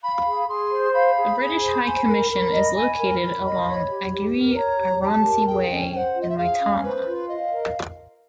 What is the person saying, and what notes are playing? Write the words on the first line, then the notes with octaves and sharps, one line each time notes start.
The British High Commission is located along Aguiyi Ironsi Way, in Maitama.
F5 B5
G#4
G#4 C6
C5
F5 B5
G#4
G#4
C5
G#5
A#4
A#4
D#5
G#5 B5
A#4
A#4
D#5
C#5
G4
G4
A#4
C#5 A#5
G4
G4 A5 A#5
A#4
G#4 G5
C#4
C5 F#5 G5
F4
D#5
E5
G#4 F5
C#4
B4 C5
F4
D#5 F5
A#4